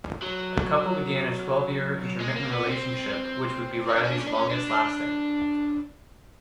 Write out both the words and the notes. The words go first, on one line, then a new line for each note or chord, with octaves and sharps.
The couple began a twelve-year intermittent relationship which would be Riley's longest lasting.
F#3
G#3
A#3
B3
C4
C#4
D4
C#4
D4
C#4
D4
C#4
D4